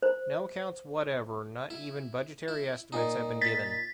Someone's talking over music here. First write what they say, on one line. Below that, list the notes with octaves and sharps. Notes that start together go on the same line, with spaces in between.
No accounts whatever, not even budgetary estimates have been given.
C5
E4
E4
A#2 D#4
A6 B6